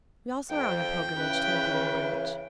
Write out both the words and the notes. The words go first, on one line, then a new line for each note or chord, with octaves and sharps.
'We also are on a pilgrimage to the Golden Branch.'
F2 G5
C#3 E3 C#4 B4